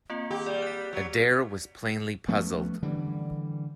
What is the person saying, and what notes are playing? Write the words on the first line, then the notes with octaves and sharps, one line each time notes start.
Adair was plainly puzzled.
A#3 C4 F4
D#3 G4
G3 D5
F#6 B6
F#3
F3 A3 B3 C#4
D3 E3 G3